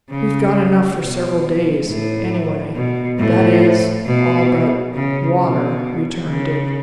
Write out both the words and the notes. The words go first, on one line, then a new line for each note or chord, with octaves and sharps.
"We've got enough for several days, anyway--that is, all but--water," returned Dick.
C#3
B2
A2
B2
A2
B2
C#3
B2
C#3